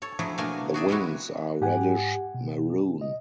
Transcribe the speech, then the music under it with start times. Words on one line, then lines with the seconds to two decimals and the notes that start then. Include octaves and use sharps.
The wings are reddish maroon.
0.02 A4 C#5
0.19 F3 F#3 A3 D4 E4 G#4
0.38 B2 A3 A#3 D4 A#4 G#5
0.74 F#4 G#4 D5 E5
0.88 G3 G#3 E4 F#4
1.61 G#2 G4 F#5 G#5
2.34 B2
3.01 D#5